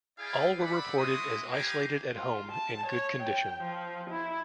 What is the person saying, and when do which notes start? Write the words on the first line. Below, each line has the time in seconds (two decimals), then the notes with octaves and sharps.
All were reported as isolated at home in good condition.
0.19 E4 G#4 D5 F5 G5 G#5
0.58 C5 D5 E5 F#5 B5
0.97 G#3 E4 F#4 C6 D#6
1.51 B3 G4 F5 G#5 A#5 D6
2.15 F4
2.51 A5
2.87 C#5
3.22 G5
3.62 F3
4.10 E4